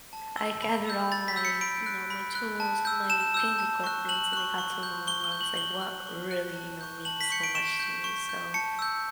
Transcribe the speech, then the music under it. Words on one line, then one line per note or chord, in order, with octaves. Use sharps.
I gathered all my you know, my tools, my paint equipments, and it got to a moment where I was like, "What really, you know, means so much to me?" So
A5
E6 G6
B5
E6 G6
B5 A6
B6
E6 G6
C#7
B5 D7
F#6
B5
F#6
A5
E6 G6
A5 E7
E6 G6
A5
C#6 F#6
A5 F#7
C#6 F#6
C#6
G6
C#6 G7
G7
G6
F#7
C#6 G7
F#6
C#6
F#6
A5
C#6 G6
A5 F#7
B6
C#6 G6 C#7
D7
C#6 E7
G6
C#6
G6
A5 C#7
E6 G6